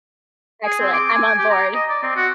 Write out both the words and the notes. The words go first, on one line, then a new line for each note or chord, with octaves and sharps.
excellent, I'm on board.
G#4
C4
D6
G#5
G4
A#5
D#5
D5
C4
F#4